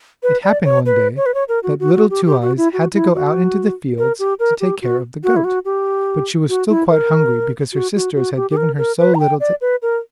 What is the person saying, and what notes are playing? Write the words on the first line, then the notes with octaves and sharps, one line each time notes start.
It happened one day that Little Two-eyes had to go out into the fields to take care of the goat, but she was still quite hungry because her sisters had given her so little to eat.
B4
D5
C#5
B4
C#5
B4
C#5
A#4
F#4
F#4
F#4
G4
G4
F#4
E4
F#4
E4
F#4
A#4
G4
A#4
G4
F#4
F#4
E4
F#4
G4
F#4
E4
A#4
F#4
F#4
F#4
G4
G4
A#4
A#4
B4
A#5
G5
D5
B4
A#4